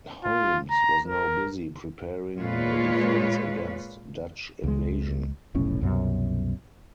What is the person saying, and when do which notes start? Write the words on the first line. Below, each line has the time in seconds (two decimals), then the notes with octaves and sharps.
Holmes was now busy preparing the defence against Dutch invasion.
0.24 F4
0.71 A#5
1.06 A#4
2.38 A#2 G#3 F4 B4 C#5
4.64 C#2 G#3
5.55 F1 B1 A2 C#4
5.81 C2 F#2 B2